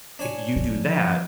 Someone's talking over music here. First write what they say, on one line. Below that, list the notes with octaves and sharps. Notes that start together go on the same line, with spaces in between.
"If you do that,
D4 C#5 G#5
F3